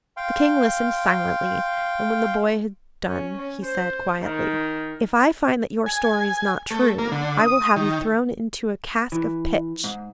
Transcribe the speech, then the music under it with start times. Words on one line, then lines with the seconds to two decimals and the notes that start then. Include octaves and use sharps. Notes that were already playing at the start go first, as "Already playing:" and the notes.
The king listened silently, and when the boy had done, he said quietly: 'If I find that your story is not true I will have you thrown into a cask of pitch.'
0.17 F5 G5 C6
3.06 C#4
3.65 C5
4.22 D#3
5.86 G#5
6.71 A3
6.99 A#3
7.12 D3
7.40 D#6
7.76 D#3
9.12 E3
9.84 G#2